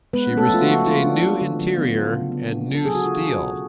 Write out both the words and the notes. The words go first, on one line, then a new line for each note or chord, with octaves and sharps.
She received a new interior, and new steel.
G#3 B3 B4
C#4
A3 A4
F3 F4
F#4
F3
G#3 F4
D4
F4
D3
F#3
B3
F4
C#3
B3
D4
F4
A4
F#3 G#4
F#4
F#3 F4
C#4 F#4
B2